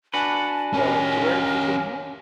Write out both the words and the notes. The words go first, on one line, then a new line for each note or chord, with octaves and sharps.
Uh, so where is this in England?
D4 F#4 B4 G#5 A5
C#4 G4 A#4